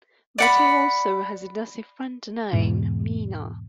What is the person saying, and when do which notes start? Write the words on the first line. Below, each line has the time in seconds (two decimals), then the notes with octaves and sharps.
Beti also has a Desi friend named Meena.
0.38 D5 F#5 B5
2.53 E2 G#2 B2